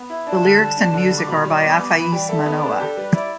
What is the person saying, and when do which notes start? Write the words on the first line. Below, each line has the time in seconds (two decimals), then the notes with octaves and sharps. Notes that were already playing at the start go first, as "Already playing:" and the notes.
The lyrics and music are by Afaese Manoa.
Already playing: B3
0.10 E4
0.26 D4 A5
0.43 D3
0.60 G3
0.77 D4
0.94 D3
1.11 G3
1.18 D6
1.28 B2 B5
1.45 G3
1.54 D6
1.62 B3
1.78 B3 D6
1.95 E3 B5
2.12 G3 G5
2.29 A4 E5
2.46 B3
2.54 D5
2.63 D4
2.70 B4
2.80 G4 A4
2.97 G3 B4
3.14 E4 D5